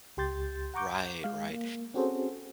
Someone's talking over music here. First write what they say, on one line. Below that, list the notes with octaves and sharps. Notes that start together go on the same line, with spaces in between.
Right, right.
C#2 G4 C6 G6 A6
F#5 A#5 C#6 D6 G6
G#3 F5
A#3
C4 C#4 F#4 G#4 A4 C5